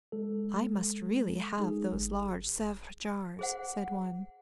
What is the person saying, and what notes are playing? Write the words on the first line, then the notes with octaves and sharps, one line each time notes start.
"I must really have those large Sevres jars," said one.
G#3 A4
G#3 D#4 G#4
G1
G#4 C5 F#5